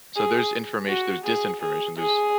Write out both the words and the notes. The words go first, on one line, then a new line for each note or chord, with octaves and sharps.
so there's information, there's disinformation, there's
G#4
F#4
G#4
G#4
G#4